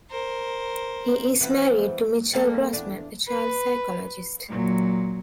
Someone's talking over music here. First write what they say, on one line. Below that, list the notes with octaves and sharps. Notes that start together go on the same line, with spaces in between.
He is married to Michal Grossman, a child psychologist.
A#4 C5
E3 F3 B3
G3 A#3 A4
E2 D4
B4
A#2 F#3